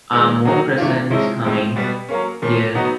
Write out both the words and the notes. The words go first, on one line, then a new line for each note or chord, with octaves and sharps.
Are more presents coming, dear?
D#3 G#3 B3
D3 F#3 A#3 D#4 F#4
C3 E3 A3 D4 F4
C3 F3 G#3 C#4 E4
A2 F3 G#3 C4
B2 G3 B3
F#3 A#3 C#4
A#2 F3 A#3 C#4
F#3 B3 D#4 F#4